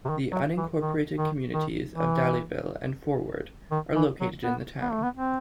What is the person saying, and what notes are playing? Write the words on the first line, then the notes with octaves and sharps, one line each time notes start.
The unincorporated communities of Daleyville and Forward are located in the town.
C3
D#3
F#3
E3
D#3
D#3
D#3
E3
D#3
E3
F#3
B3
B3
A3
B3
C4